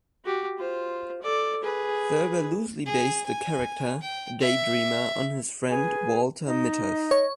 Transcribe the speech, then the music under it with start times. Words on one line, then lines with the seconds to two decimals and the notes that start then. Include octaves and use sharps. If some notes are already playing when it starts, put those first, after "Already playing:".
Thurber loosely based the character, a daydreamer, on his friend Walter Mithoff.
0.25 F#4 G4
0.58 F4 C5
1.21 A4 D5
1.63 G#4 B4
2.86 G#4
3.26 G#5
4.01 G5
4.41 E5
5.69 G#4 B4 G#5
6.48 D#4 D#5
7.11 C#5